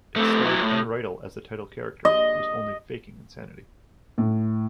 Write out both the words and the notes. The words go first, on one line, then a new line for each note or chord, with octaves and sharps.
It starred Enn Reitel as the title character, who is only faking insanity.
A3 C4
F#3 E4
A2
D#5
A2